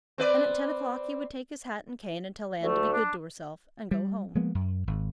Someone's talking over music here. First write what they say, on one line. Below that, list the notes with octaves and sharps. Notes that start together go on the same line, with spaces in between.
And at ten o'clock he would take his hat and cane and tell Anne to be good to herself, and go home.
C4 B4 D5
D2 A3
D4
G3
F3 G#3 A#3 B3
F#2
G#1